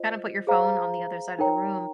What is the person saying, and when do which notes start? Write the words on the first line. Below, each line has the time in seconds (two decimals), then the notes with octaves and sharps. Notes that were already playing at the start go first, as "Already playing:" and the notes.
kinda put your phone on the other side of the room.
Already playing: F4 C5 D#5
0.47 G#4 C5 F5 A#5
1.39 D#4 A#4 C#5 G5 A#5